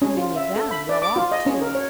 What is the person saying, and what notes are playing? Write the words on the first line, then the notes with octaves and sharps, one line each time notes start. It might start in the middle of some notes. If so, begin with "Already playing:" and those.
And many of them well off, too.
C#4
F4
E5
A4
B5
D5
D6
F4
D#5
C#4
A#4
C#5